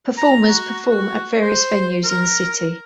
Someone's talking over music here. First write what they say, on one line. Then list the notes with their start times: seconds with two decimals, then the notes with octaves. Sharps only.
Performers perform at various venues in the city.
0.18 A#5
0.49 F#4
0.90 F#4
1.41 C5
2.04 A#4